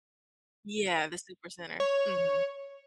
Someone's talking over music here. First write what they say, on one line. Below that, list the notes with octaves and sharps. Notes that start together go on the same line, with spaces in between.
Yeah, the Supercenter, mhm.
C#5